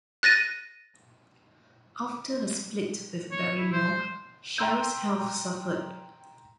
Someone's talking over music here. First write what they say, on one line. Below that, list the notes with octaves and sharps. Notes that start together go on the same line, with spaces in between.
After her split with Barrymore, Cheryl's health suffered.
F#6 A6 A#6 D#7
C#5
E4
C5
G5 A#5 C6 E6 G6